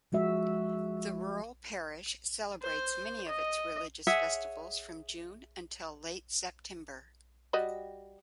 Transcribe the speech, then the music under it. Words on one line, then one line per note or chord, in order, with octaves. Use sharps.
The rural parish celebrates many of its religious festivals from June until late September.
F3 G#3 F#4 E5
C5
D#5
G#4 C#5 E5 F#5
G3 F#4 D#5